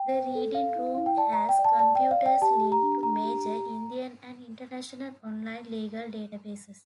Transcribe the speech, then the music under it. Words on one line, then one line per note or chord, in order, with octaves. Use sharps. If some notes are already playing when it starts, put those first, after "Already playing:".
The reading room has computers linked to major Indian and international online legal databases.
Already playing: G5
C5
A4
A4 F5
E4
E4 F5
G5
D5 A5
A#5
D5
G5
D5
A5
D5 A5
G5
D5
F5
D5 G5
G4 A5
G4
A#5
D4
D4 A#5
G4
G4